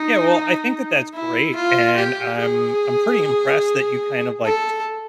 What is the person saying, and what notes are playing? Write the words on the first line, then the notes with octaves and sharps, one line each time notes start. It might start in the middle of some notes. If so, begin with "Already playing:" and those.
Yeah, well, I think that that's great, and I'm I'm pretty impressed that you kind of, like,
Already playing: D#4
E4
F4
G4
G#4
A4